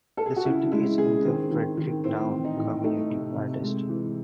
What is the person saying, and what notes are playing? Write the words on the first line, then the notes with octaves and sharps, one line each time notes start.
The city is in the Fredericktown Community Fire District.
A4
G#4
F#4
C#3 E4
G#3 E4
C#3 G#4
D#3 C4
D#3
D#3
A2 C4
E3
D#4
A2
A3 D#4
C3
C3
G#3
E3